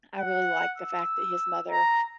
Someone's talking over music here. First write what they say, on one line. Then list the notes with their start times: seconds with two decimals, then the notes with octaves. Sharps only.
I really liked the fact that his mother
0.19 F#5
0.78 E6
1.71 A#5